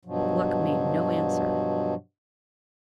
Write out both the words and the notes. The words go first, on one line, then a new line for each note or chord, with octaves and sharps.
Gluck made no answer.
G2 B2 F3 F#3